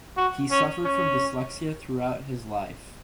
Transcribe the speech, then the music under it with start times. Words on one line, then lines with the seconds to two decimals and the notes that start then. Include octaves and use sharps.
He suffered from dyslexia throughout his life.
0.17 F#4
0.51 C#4
0.85 C#4